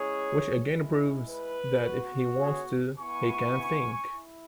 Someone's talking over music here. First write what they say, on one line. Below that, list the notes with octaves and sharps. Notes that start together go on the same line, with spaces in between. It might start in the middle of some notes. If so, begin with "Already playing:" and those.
Which again proves that if he wants to, he can think.
Already playing: G#3 C#4 E4 G#4 C#5
G#3 E4
B4
B3 F#4
G#4 C#5
B3 E4 G#5 C#6
E4